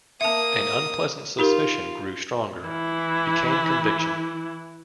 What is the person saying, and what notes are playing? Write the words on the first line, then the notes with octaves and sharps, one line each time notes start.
An unpleasant suspicion grew stronger; became conviction.
A#3 E5 A5 D#6
D#4 F4 G4 A#4
E3 E4